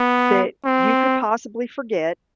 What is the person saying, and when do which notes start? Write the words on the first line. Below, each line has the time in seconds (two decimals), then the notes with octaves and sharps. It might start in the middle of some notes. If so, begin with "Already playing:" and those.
that you could possibly forget,
Already playing: B3
0.65 C4